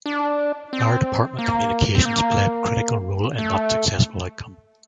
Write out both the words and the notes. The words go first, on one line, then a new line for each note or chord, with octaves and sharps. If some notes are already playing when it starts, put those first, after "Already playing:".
Fire department communications play a critical role in that successful outcome.
D4
C4
A#3
C4
A#3
A3